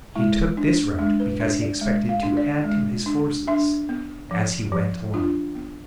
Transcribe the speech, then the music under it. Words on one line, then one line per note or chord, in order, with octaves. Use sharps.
He took this route because he expected to add to his forces as he went along.
G#3 E4
D4
G#3 D4
B4
D4 E5
D5
G#3
F5
D4
D5
G#3
D4
D4 E5
B3
F3
F3
D4 F4
B3